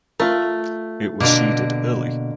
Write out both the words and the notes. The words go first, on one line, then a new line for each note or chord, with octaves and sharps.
It was seeded early.
A3 F4 A#4
B2 D3 A#3